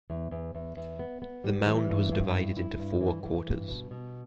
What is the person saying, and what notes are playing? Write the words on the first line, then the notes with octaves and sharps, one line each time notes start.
The mound was divided into four quarters.
E2
E2
E2
E2
B3
B3
G3
E3
G2
G2
E4
E4
G2
E3
E3
G2
B2
B2